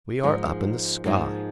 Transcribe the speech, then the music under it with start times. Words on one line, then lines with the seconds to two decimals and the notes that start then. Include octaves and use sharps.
We are up in the sky.
0.23 G#2 F3 A#3 D#4 G#4
1.05 G#2 F3 A#3 D#4 G#4